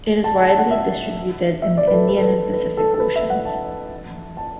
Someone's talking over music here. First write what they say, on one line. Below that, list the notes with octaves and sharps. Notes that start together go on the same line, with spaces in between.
It is widely distributed in the Indian and Pacific Oceans.
A5
A5
A5
F#5
E5
E5
D5
B4
A4
B4
A4
B4
B4
A4
A4
B4
E5
F#5
A5
A5